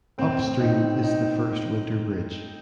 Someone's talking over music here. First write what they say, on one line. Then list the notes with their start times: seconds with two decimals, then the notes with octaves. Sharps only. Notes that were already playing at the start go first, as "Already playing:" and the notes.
Upstream is the First Winter Bridge.
0.18 A2 C4
0.47 A2
0.60 D#4
0.75 A2
1.04 A2 D#4